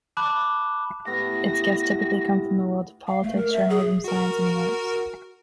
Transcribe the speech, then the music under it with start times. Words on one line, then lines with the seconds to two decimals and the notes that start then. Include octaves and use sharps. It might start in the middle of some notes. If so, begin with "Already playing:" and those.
Its guests typically come from the worlds of politics, journalism, science and the arts.
0.17 A5 B5 D6 F#6
1.06 A2 B3 G4 A#6
3.08 F5
3.23 A3
3.36 A#4
3.52 E5
3.70 G#4
4.04 F#4 A#4